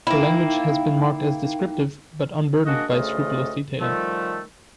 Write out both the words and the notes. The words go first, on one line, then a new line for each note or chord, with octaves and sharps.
Her language has been marked as descriptive but unburdened by scrupulous detailing.
A#3 D#4 E4 G5
G#3 A#3 D4 F#4 D#5
D2 C#3 A3 F4 D#5
D#3 F3 G3 A3